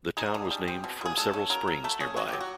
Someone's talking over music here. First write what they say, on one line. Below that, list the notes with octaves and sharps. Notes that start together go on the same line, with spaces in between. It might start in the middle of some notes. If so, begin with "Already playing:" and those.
The town was named from several springs nearby.
D#4 G#4
D3
G3
C4
B2
B2 G#4
G#3 A4
C#4
F#3 A#4
F#3
A3 A4
C#4 G#4
F#3 F#4
F#3 G4
F#4